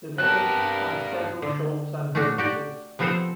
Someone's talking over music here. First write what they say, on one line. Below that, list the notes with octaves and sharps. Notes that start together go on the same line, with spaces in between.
The village has several shops and businesses.
G2 C3 B3 G4 A#4 A5 F#6
D3
A3 C#4 D4 F#4
F#4 G4 D5
C3 F3 B3 C4 A4 C5